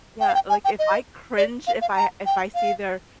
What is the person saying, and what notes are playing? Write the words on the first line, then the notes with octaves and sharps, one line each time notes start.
Yeah, like, if I cringe, if I if I see their
G5
F5
G5
G#5
G5
D#5
D5
F5
F5
A#5
G5
F5